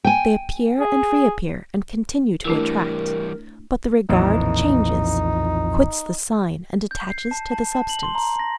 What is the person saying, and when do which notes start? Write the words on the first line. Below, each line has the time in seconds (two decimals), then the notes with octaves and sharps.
They appear and reappear and continue to attract; but the regard changes, quits the sign and attaches to the substance.
0.04 G5 G#5
0.80 G#4
2.45 E3 G3 A3 D4 E4 A#4
4.09 B1 F2 A#2 E3 A#3 D#4
6.91 G6
7.10 C7
7.31 A5
7.52 A5
7.74 A5
7.89 F#7
8.03 C6
8.15 A#5
8.39 A#6